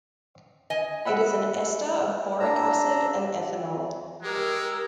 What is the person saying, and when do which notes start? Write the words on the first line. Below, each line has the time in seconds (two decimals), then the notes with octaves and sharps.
It is an ester of boric acid and ethanol.
0.70 D#5 G#5
1.05 E5 F#5 B5
2.40 D4 A#5 E6
4.23 G#3 G4 A#4 E6